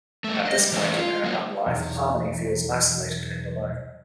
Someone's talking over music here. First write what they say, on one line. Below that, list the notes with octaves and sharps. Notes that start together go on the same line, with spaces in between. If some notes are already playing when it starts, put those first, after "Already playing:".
At this point in her un-life, Harmony feels isolated and alone.
G3 A3
D4 D#5
G3
E3 A3 C#4 G4 C5
F4
F#3 A#3
B1 E2